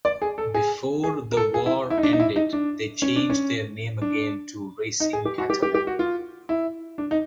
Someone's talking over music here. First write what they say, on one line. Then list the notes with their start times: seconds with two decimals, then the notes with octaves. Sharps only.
Before the war ended they changed their name again to Racing Catalan.
0.05 D5
0.22 G#4
0.38 A4
0.54 G#4
1.04 G#4
1.32 A#4
1.37 A4
1.54 G#4
1.66 E4
1.90 E4
1.98 D#4
2.03 D4
2.13 D#4
2.20 E4
2.36 D#4
2.53 D4
3.02 C#4
3.16 D4
3.30 C#4
4.02 D4
5.00 D#4
5.13 G#4
5.25 G4
5.38 F#4
5.50 G4
5.62 G4
5.75 G4
5.87 F#4
5.99 F4
6.49 E4
6.98 D4
7.11 D#4